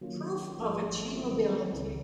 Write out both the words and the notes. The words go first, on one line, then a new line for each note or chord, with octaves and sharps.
Proof of Achievability.
D#3 F#3 A#3 C#4 F4
G#1 G#2 F3 A3 C#4
D#3 F#3 A3 C4 E4
C#2 C#3 E3